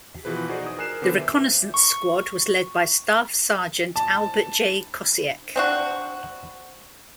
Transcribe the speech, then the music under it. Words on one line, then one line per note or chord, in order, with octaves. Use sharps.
The reconnaissance squad was led by Staff Sergeant Albert J. Kosiek.
B2 E3 F3 B4
D#4 F#4 G#4 C5 D5
D#6
A#4 G#5 F#6 C7 E7
D3 B3 B4 C5 D6
E5
C#6
A5
C4 D4 F#4